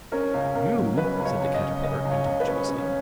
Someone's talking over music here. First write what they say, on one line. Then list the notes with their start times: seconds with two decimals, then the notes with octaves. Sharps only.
'You!' said the Caterpillar contemptuously.
0.12 C#4 A#4
0.34 C#2
0.54 C#2 A#4
0.77 F#3
0.97 C#4 B4
1.19 C#2
1.25 C#5
1.40 C#2
1.54 D#5
1.61 C#4
1.83 C#3 D#5
2.05 C#2
2.11 C#5
2.25 C#2
2.40 B4
2.48 C#4
2.68 C#4